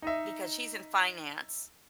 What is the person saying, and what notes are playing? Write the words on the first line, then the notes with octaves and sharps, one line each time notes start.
because she's in finance
D#4 D#5 E5